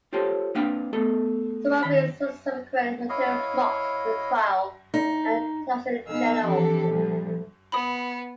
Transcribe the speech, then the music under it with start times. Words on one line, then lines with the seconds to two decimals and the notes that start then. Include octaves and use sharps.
Some of his subsequent material mocked the trial and tax in general.
0.13 F4 G4 A4 C5 C#5
0.55 A#3 C4 D4 B4 F5 G5
0.93 A3 B3 G#4 A4
1.83 D#3 B5
3.09 E4 C#5 D#5 F5
4.94 D#4
6.07 A#2 B3 D#4 G#4 F5 E6
6.41 E3 F3 C4 D4 G4 A4
6.87 D2 A#2 F3 G3
7.72 B3 B5 D#6